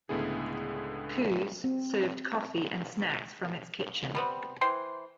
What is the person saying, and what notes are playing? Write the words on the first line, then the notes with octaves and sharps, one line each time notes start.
Koo's served coffee and snacks from its kitchen.
C#2 A2 D3 B3 E4 G#4
C4
G3 B3 C4
E3 C5 G5 C6